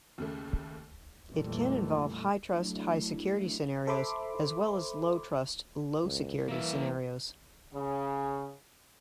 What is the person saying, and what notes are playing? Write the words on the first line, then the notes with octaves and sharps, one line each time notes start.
It can involve high-trust, high-security scenarios as well as low-trust, low-security scenarios.
D#2 C#3 A3
F2 A#2 E3 G3 A3
F#3 A3 D4 E4
A4 C5 E5 B5 C6 D6
C#2
E3 A#3 E5
C#3